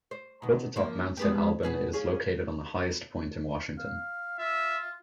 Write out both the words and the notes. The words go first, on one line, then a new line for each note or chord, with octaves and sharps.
Built atop Mount Saint Alban, it is located on the highest point in Washington.
C5
B2 D#3
F3 A#3
G#3 B3 G4
B2 G#4 B4
C#4 F4 G#4
F5
F4 E5